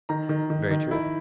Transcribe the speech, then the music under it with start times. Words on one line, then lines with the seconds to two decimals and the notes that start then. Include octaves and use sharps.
Very true.
0.09 D#3 A#5
0.29 D#3
0.50 D#3
0.71 D#3
0.91 E4